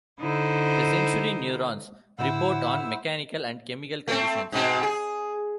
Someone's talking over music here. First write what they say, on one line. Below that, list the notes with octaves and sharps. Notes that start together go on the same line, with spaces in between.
The sensory neurons report on mechanical and chemical conditions.
D3 D#4 E4 C5
A2 D3 E4 C5 F#5 E6
A3 C4
G#2 B2 C4
G#4